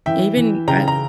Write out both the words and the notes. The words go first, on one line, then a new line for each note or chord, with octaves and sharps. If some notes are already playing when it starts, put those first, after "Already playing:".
even I
E3 E5 G5
E3
C#3 G5 A#5
A#5